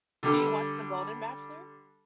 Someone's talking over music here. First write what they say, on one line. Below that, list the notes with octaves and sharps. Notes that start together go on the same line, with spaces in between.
Do you watch The Golden Bachelor?
D3 G3 A4